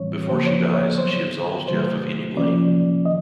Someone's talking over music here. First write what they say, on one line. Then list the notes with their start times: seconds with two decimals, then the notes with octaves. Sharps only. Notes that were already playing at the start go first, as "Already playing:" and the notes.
Before she dies, she absolves Jeff of any blame.
Already playing: A2 E3 G3 C4 C#5
0.29 C#3 F3 A#3 C5
0.46 C#5
0.82 C#5
0.98 D3 F#3 B3 C5
1.68 C3 D#3 F#3 A3 C5
2.36 C3 F3 A#3 C#4 D5
3.05 D#3 D#5